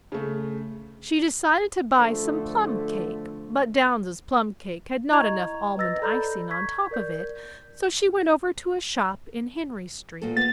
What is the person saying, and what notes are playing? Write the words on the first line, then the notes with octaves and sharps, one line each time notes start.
She decided to buy some plumcake but Downes's plumcake had not enough almond icing on top of it so she went over to a shop in Henry Street.
C#3 A3
D3 F3 A3 A4 C5
E4 D#5 A#5 C#6 G#6 F7
B4 D#5 E6 A6 A#6
A4 D5 A#5 B5 G6
C#6 G#6 B6
A#4 D5 G6
E2 A#2 A4
A#3 B3 A6